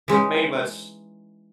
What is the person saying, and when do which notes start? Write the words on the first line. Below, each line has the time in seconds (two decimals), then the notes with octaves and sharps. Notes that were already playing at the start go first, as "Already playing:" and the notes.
pretty much
0.08 E3 G#3 C#4 D#4